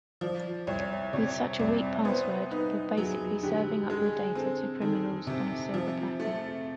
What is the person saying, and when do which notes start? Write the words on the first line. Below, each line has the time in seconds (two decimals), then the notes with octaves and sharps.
With such a weak password, you’re basically serving up your data to criminals on a silver platter.
0.21 F3 D5
0.67 C2 C#5
1.13 C3 C#5
1.59 C2 D5
1.91 D5
1.99 C#5
2.05 B3 C5
2.51 D#4 B4
2.97 F#3 G#4
3.43 D3 G4
3.90 G#3 G#4
4.35 C4 A4
4.81 D#3 A4
5.27 C3
5.74 F3
6.20 A3